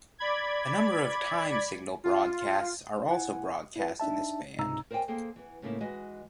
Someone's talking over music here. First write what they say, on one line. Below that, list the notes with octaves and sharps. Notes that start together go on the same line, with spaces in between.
A number of time signal broadcasts are also broadcast in this band.
D5 B5 G#6
F4
E4 F#5 G#5
E4 B4
D4 D#4 E5 A5
C#2 G#2 C3 D#4 A#5 E6
A#4 C5 D5 E5 G5 G#5
A#3 G#4 A4 C5 G5
E3 B3
A2 C#3 A3 A#3 D#4 E4
E3 G#3 D#4 F#4 D#5